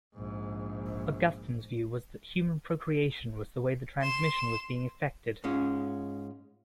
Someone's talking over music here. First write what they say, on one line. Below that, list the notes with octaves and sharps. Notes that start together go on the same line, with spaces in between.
Augustine's view was that human procreation was the way the transmission was being effected.
A#1 G#2
C6 E7
G#2 G#3 C#4 F4